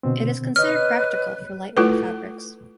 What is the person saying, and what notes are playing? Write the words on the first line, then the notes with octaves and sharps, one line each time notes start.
It is considered practical for lightweight fabrics.
B2 D3 C4
B4 C#5 D#5 F6
A3 E4 F4 A4 B4